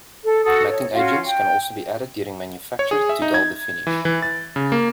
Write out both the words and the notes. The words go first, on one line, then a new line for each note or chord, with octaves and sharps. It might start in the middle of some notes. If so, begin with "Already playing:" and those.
Matting agents can also be added during manufacture to dull the finish.
A4
F#4 A4 A5 D#6
C#5
C#4 F4 F#4
G5
C#5
G#4
E5
D#4
G#6
E3
E3
A6
C#3
A#3